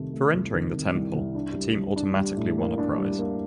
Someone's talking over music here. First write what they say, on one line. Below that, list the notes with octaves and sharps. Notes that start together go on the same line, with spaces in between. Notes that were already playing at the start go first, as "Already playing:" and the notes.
For entering the temple, the team automatically won a prize.
Already playing: C2 C3 D#3 A3
A3
C2
D#3
C3
C2
C2
D4
G3
G3
D4
G3
A2
A#3
D4
G3
A#3